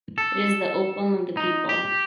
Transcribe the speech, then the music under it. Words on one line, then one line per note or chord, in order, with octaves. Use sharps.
It is the opium of the people.
A4
D#4
G4